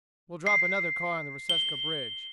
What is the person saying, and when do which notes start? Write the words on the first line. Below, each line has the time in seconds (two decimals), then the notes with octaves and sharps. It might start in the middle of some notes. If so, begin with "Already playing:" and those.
We'll drop another car on the Reseca bridge.
0.47 C7
1.49 G7